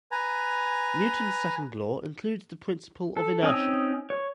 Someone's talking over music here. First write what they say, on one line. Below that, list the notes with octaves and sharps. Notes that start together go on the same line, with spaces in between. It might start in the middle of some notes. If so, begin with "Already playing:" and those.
Newton’s second law includes the principle of inertia.
B4 G#5 A#5
A4
C4 C#4 D#4 D#6 E6
C#5